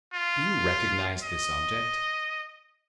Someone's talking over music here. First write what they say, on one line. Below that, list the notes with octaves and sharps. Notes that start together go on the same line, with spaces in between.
"Do you recognize this object?"
F4
D#5